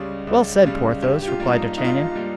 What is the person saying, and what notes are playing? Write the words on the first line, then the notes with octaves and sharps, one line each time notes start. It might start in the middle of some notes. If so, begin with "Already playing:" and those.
"Well said, Porthos," replied D'Artagnan.
Already playing: C#2 C#3 G3 C#5
C#2
C#3 G3
G2 G4
G4
F4
G3 A#3
D#4
G2 D#4
F4
D#4
G3 A#3